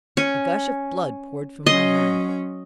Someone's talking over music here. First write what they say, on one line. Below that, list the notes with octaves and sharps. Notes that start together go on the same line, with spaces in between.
A gush of blood poured from my hand.
C#4
F#3 C#4 D#5 C6